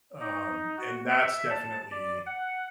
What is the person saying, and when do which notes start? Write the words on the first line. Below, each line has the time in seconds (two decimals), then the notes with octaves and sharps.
Um, and that's definitely
0.20 D#4
0.78 F#4
1.10 E5
1.50 A5
1.91 D5
2.26 F#5